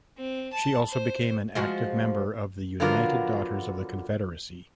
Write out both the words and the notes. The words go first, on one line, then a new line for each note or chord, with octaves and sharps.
She also became an active member of the United Daughters of the Confederacy.
C4
A5
C5
F3 G#3 F#4
D3 F3 F#3 B3 F4 A#4